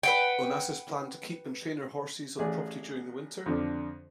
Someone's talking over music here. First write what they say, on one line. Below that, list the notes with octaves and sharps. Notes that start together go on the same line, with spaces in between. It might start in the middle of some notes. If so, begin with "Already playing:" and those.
Onassis planned to keep and train her horses on the property during the winter.
B4 F#5 G5
A1 G#4 D5
F2 D3 F3 D4